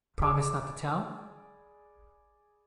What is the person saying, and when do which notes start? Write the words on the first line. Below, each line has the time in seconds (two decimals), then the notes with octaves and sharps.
Promise not to tell?
0.22 G#4 D5 B5